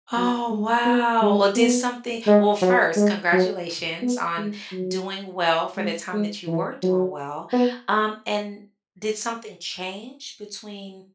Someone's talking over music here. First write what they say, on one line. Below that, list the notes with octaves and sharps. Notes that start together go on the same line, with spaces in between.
Oh, wow, well, did something well, first, congratulations on doing well for the time that you were doing well, um, and did something change between
F#3
G#3
B3
G#3
B3
G#3
F#3
G#3
F#3
B3
G#3
F#3
G#3
G#3
E3
F#3
B3